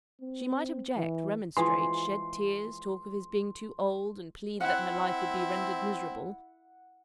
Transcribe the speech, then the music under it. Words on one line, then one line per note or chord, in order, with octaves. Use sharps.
She might object, remonstrate, shed tears, talk of his being too old, and plead that her life would be rendered miserable.
C4
E3
E3 F3 G#3 C6
C4 E4 F#5